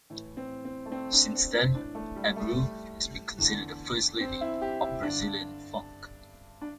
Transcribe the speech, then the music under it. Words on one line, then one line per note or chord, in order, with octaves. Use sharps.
Since then, Abreu has been considered the first lady of Brazilian funk.
A2 E3
C4
C4
A3
C4
D4
C4
C4
A2 E3 D4
A3
G3
A3
E2 D3
C4
E4
G4
E4
G2 D3 D4
D4